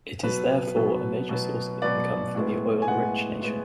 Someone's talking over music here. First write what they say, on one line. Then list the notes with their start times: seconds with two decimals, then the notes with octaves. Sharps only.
It is therefore a major source of income for the oil-rich nation.
0.23 B2 F#3 B3 B4
0.76 B2 F#3 B3
1.29 B2 F#3 B3
1.82 B2 F#3 B3 D5
2.35 A2 G#3 B3
2.82 G#5
2.88 A2 G#3 B3 F#5
3.41 A2 G#3 B3